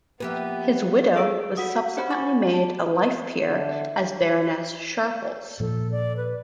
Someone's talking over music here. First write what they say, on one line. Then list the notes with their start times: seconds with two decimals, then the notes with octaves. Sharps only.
His widow was subsequently made a life peer as Baroness Sharples.
0.20 F3 A#3 B3 G4 B4 E5
1.16 G#4 A4 E6 D7
1.57 F#4 F#5 D#6
1.97 G4 C5 F#5 B5
2.10 G#5 B5 C#6 D6 A6
2.54 A5
3.46 D3 E5
5.60 A#2 F3 A4
5.92 D5
6.17 B4